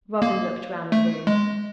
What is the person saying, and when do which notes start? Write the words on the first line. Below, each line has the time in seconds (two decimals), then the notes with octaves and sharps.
Robin looked round the room.
0.22 A#3
0.92 A3
1.27 G#3